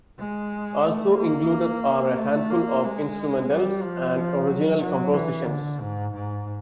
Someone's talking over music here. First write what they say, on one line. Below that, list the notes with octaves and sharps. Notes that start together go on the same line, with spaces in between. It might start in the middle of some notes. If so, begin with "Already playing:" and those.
Also included are a handful of instrumentals and original compositions.
G#3
A3
A#3
A3
A#3
G#3
G3
F3
F3
F#3
F#3
E3
D3
G#2
G#2